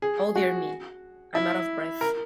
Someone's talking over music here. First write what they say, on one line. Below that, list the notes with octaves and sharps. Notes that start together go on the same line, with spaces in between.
Oh, dear me, I'm out of breath.
G#4
F#4
E4
A#4